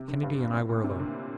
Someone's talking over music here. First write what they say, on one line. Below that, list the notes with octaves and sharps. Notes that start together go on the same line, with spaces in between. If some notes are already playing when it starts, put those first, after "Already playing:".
Kennedy and I were alone.
Already playing: C3
D3
G2
A2
A#2
C3
D3